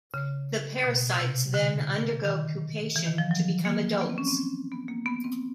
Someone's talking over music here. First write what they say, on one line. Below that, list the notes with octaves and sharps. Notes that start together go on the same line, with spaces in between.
The parasites then undergo pupation to become adults.
C#3
B2
C3
D3
D#3
E3
D#3
F3
F#3
A#3
B3
C4
C#4
C4
B3
A#3
B3
C4